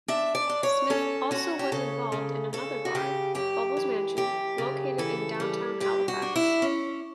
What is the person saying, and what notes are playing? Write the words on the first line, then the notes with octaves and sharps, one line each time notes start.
Smith also was involved in another bar, "Bubbles' Mansion", located in Downtown Halifax.
D4 E5
D5
D4
C#5
C#4 A4
C#4 F#4
G4
C#3 A4
C#3
C#3 A4
F#4
C#3 G4
F#2 G4
E3
F#2 G4
C#3
E3 A4
G3
G2 G4
F#4
D4
E4
C#4